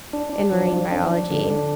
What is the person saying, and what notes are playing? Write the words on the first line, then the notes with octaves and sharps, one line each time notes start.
in marine biology,
D4
D4
F3
F3
D4
D4
D3
D4